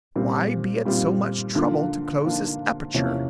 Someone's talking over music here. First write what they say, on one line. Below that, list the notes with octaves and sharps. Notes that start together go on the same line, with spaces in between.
"Why be at so much trouble to close this aperture?"
A#2 G3 C4 F4
A#2 G3 C4 F4
D3 F3 A#3 D4 F4
D3 F3 A#3 D4 F4
E2 C3 F3 A#3 C#4